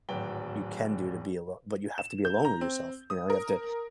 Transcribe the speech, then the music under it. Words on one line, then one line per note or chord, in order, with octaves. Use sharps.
you can do to be alone but you have to be alone with yourself, you know, you have to
D1 G#1 F#3 B4 G5 G7
E7
G6
A#5
C4
D#6
A#4